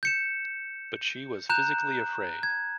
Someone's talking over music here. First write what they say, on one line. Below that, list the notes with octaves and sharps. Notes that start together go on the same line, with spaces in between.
But she was physically afraid.
G6 C#7 E7
A#5 F#6 G6 E7
G#6